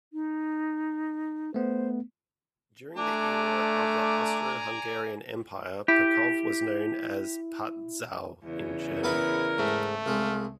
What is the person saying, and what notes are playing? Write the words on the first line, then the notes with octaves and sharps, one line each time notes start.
During the era of the Austro-Hungarian Empire Pacov was known as Patzau in German.
D#4
A3 B3 C5
A3 D4 D5 G#5 A#5
E4 G4
E2 C#3
B3 E4 A#4 B4
G#2 A3
C2 G#3 F5